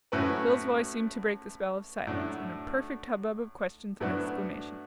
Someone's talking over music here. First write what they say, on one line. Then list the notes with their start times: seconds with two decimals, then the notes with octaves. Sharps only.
Phil's voice seemed to break the spell of silence, and a perfect hubbub of questions and exclamations began.
0.12 A2 F#3 C#4 F#4 B4
2.07 A2 F#3 A3 D4
4.00 A2 F#3 B3 D4